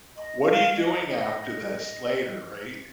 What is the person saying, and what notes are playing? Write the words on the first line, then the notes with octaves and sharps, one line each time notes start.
What are you doing after this later?" Right?
D#5
F5
D#5
D#5